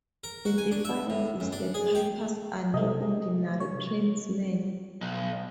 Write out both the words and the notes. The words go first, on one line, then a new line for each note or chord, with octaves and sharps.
The difference is the pipers are no ordinary tradesmen.
A#4
F#4
G#5
D4
E5
A2
F#2
D4
G#4
G4
C3 A3 D#5
C#5
B1